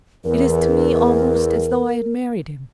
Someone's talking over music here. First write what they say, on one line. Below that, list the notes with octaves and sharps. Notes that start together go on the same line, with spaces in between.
It is to me almost as though I had married him.
E2 A#4